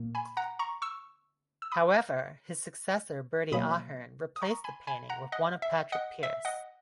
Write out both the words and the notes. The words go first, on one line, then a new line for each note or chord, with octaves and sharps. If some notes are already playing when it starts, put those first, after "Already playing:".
However, his successor Bertie Ahern replaced the painting with one of Patrick Pearse.
Already playing: A#2 A#3
G#5 B5
F#5 A#5
A#5 C#6
C#6 E6
E6
B5 D#6
B2 F#3 A#3 B5 D#6
D#6
A#5 C#6
G#5 B5
G#5 B5
F#5 A#5
D#5 F#5
E5
D#5 F#5
E5
D#5 F#5